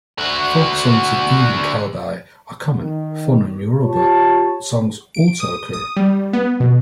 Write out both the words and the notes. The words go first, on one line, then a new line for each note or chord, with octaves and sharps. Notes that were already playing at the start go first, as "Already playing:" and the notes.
Folk songs in Ewe and Kabye, are common, Fon and Yoruba songs also occur.
D3 F#4
D#3
F4 G4 C#5 A5
D7
D#6
D#6
G3
B3
B2